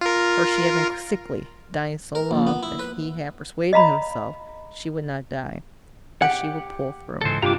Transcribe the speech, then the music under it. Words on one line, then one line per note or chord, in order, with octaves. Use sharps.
For she had been sickly, dying so long, that he had persuaded himself she would not die; that she would 'pull through.'
F4 A#4
A#4
A#1
B3
E4
B4
D#5 F5 A#5 B5
G4 F#5
C#2 G#2 E3 A4 C5
G2 C3 D4 F4 G4 A#5 D6